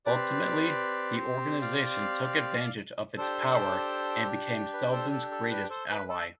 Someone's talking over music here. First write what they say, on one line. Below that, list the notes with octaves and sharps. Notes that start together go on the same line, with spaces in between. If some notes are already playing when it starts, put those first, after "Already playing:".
Ultimately, the organization took advantage of its power and became Selden's greatest ally.
C4 G4 B4 D5
D5 F5
D4 G4 A4 C5
B4
A4 C5
A4
A4
B4
A4 C5
B4
A4